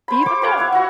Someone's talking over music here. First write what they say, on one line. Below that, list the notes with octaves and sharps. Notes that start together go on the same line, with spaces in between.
even them.
C5 B5
C5 D6
G4 B4 C#5 F5
E4 C#5 F#5
F#4 F#5